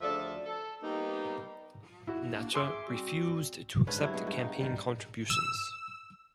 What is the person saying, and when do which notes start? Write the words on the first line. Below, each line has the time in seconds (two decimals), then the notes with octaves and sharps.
Natcher refused to accept campaign contributions.
0.01 D2 C#3 F3 A4 D5 E5
0.46 A4
0.82 G3 A#3 B3 D#4
2.07 E4 F#4
2.33 A#3 D4
2.54 G#4 E5 G#5 C6 D6 E6
2.88 G3 C4 F#4
3.87 G#2 D3 C#4 B4
3.98 G2 F#3 E4
4.14 G#3 B3
4.27 G2
4.38 D#4
4.60 D#3 G3
5.30 E6